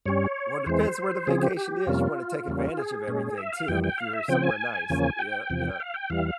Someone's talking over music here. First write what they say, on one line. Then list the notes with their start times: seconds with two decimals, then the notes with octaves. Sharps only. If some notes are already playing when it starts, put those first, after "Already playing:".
Uh, well, depends where the vacation is, you wanna take advantage of everything too if you're somewhere nice. Yeah, yeah.
0.06 G2 G3 C#4 C#5
0.66 E2 E3 G#3 C4 C5
1.27 C#3 F3 C4 G#4
1.42 G4
1.57 G4
1.87 F2 C3 G3 A#3 C#4 F4
2.47 E2 C#3 G3 A#3 C#4
2.77 G#4
3.08 A#2 G#3 C#4
3.38 E5
3.53 F5
3.68 F2 E3 G3 G5
3.84 G5
3.98 F5
4.13 E5
4.28 C#3 F3 C4 G5
4.43 G#5
4.90 E2 C#3 F3 A#3 C#4
5.19 G5
5.50 E2 C3 F3
5.80 F5
5.94 G5
6.10 E2 E3 G3 F5